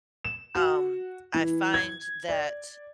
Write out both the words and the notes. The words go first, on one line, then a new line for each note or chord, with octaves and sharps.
um, I find that
E7
F#4
E3
G#6
D5